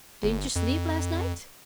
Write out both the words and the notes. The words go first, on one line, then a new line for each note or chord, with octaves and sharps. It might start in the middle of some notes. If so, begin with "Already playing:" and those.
"Didn't you sleep last night?"
G1
F2